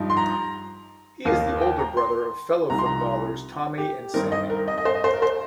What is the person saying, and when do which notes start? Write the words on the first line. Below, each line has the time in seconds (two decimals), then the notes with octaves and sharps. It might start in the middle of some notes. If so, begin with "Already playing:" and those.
He is the older brother of fellow footballers Tomi and Sammy.
Already playing: G2 F3 D#4
0.10 C6
0.17 A#5
1.25 D#2 D#3 A#3 D#4 F5
1.61 G5
1.79 A#5
1.97 C6
2.70 C2 C3 F3 D#4 A#5
2.78 C6
2.86 A#5
3.78 G4
4.14 G2 D#3 C4 D#4 A#4
4.32 D#5
4.50 A#4
4.68 D#5
4.78 D#5
4.85 C5
4.95 D#5
5.04 C5
5.13 A#4
5.22 C5